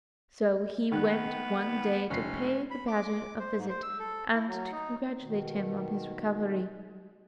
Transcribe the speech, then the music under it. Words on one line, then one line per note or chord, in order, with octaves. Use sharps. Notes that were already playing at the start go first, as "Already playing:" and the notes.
So he went one day to pay the badger a visit and to congratulate him on his recovery.
D#3 B3 F#6
F1 F3 C#4 C7
B5
D6
C5
G#2
C5
E6
A4
E4
F#3
D#4
B2 D#3